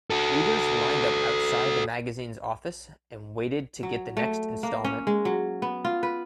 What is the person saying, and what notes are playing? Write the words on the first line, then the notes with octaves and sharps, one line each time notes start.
Readers lined up outside the magazine's offices, waiting to get the next instalment.
F#4 A4
F#3
A3
A#3
C#4
G#3
F#3
B3
F4
B4